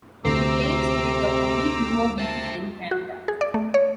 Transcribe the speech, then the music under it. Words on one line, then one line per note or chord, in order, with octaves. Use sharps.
It claims to be the only humour weekly in Canada.
D2 C3 C4 A#5 D6 E6
C5 E5 A5
F#4
G#4
D5
A3
C#5